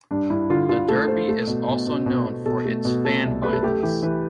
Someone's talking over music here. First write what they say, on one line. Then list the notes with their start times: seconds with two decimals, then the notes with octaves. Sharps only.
The derby is also known for its fan violence.
0.11 G2 D4
0.30 G2 E4
0.50 D3 F4
0.69 D3 F4
0.88 A3 A4
1.08 A3 C5
1.29 A3
1.47 B2
1.68 B2
1.87 B2
2.06 B2
2.26 B2
2.46 B2 A4
2.66 A3
2.85 B2
3.05 A3 A4
3.25 C2
3.43 A3 B4
3.53 A4
3.63 A3 G4
3.83 E3 G4
4.02 E3 B4